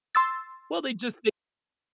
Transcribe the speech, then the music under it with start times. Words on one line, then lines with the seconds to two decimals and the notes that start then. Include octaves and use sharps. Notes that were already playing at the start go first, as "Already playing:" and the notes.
Well, they just they
0.15 C6 E6 A6